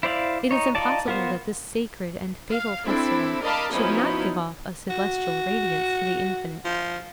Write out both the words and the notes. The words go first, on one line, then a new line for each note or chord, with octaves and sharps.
It is impossible that this sacred and fatal festival should not give off a celestial radiance to the infinite.
E4 C5 D5 F5
D#4 C#5
D#4 F4 D5 A5
B3 F4 A#4 C5
F5
C4 D4 E4 A4
A#4 D5 D#5 F5 A5 B5
F3 F#3 B3 C#4 D#4 E4
F#4
F3